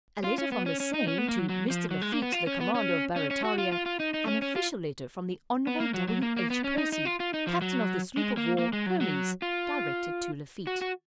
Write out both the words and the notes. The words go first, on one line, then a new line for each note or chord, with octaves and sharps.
A letter from the same to Mr. Lafitte, the commander of Barrataria; an official letter from the honorable W.H. Percy, captain of the sloop of war Hermes, directed to Lafitte.
F4
C#4
B3
C#4
C#4
D#4
C#4
B3
A#3
F#3
F#3
F3
F#3
G#3
A#3
B3
F4
C#4
B3
C#4
C#4
C#4
F#4
F4
F4
F4
D#4
D#4
C#4
C#4
F4
B3
A#3
F#3
F#3
A#3
A#3
B3
C#4
D#4
D#4
F4
F4
D#4
F3
F#3
G#3
A#3
A#3
G#3
F#3
F#3
F4
F#4
F#4